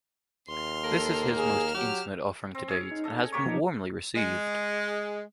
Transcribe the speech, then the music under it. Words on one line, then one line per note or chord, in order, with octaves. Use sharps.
This is his most intimate offering to date and has been warmly received.
D#2 C6 F6
A#3 A4
G#4 F6 E7
F#3 G4
C4
C#4 G#4 C#5
D#4
A4 D#5
A#3 G4 C#5 C#6
F3 D#4
G#3